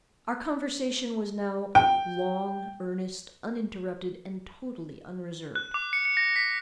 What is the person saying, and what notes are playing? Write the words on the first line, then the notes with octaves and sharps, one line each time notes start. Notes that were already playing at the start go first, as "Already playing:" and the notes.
Our conversation was now long, earnest, uninterrupted, and totally unreserved.
G5
F#6
D6
C#7
C#7
A#6
B6